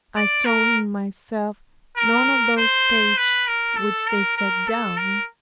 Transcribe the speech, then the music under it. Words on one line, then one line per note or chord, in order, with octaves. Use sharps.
I saw in myself none of those states which they set down.
D5
A#4
A#4
C5
B4
A#4
A4
A#4
A#4
A4
A#4